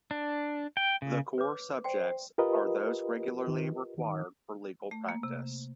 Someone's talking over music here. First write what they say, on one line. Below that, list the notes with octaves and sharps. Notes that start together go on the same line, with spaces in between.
The core subjects are those regularly required for legal practice.
D4
G5
C#3
B4 C#5 D6
C5 D5 G5 C6
F4 G4 A#4 B4 D#5
A3
A#3
C3